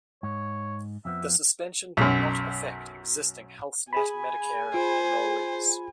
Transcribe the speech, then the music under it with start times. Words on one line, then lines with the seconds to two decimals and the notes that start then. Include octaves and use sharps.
The suspension did not affect existing Health Net Medicare enrollees.
0.23 G#2 C#5
1.05 F2 F3 B3 E5
1.97 B1 F#2
3.93 G#4 G#5 B5
4.74 F4 C5